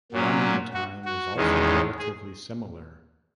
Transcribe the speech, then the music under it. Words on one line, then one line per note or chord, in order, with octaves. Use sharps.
Running time is also relatively similar.
A#2 F#3 C#4
F#4
F#4
E2 D#3 G#3 C#4
G#4